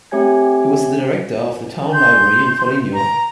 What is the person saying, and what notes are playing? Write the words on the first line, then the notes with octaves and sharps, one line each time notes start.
He was the director of the Town Library in Foligno.
A3 C4 G4 C#5 G#5 G#6
C6 G6
A#5